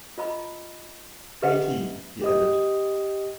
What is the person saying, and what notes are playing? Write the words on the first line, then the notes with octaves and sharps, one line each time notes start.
Eighteen, he added.
F4 D#5 A#5 B5
G4 B4 D#5 E5 F#5 G5
G4 D#5 D#6